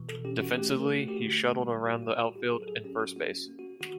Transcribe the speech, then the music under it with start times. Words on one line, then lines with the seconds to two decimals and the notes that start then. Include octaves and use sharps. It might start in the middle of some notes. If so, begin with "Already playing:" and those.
Defensively he shuttled around the outfield and first base.
Already playing: B2 E3
0.09 A4
0.25 C#4 G4
0.42 F#4
0.58 A3 G4
0.79 A#4
0.90 A3
1.01 F#4
1.08 G4
1.17 D3 F#4
1.54 G3
1.86 A2 F#4
2.02 F#4
2.19 A2 F4
2.36 G4
2.52 F#3 G#4
2.62 A4
2.68 G#4
2.84 C#4 G4
3.00 F#4
3.16 A#3 F#4
3.49 A#3
3.59 F#4
3.81 D#3 F#4